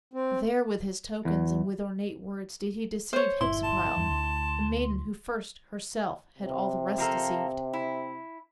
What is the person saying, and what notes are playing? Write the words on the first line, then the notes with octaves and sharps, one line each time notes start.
There with his tokens and with ornate words Did he deceive Hypsipyle, the maiden Who first, herself, had all the rest deceived.
C4
E2
C5 C#5
G1 A#2 E4 C6
A5
E2 G2
D2
C3
F3 A#3 A4
E4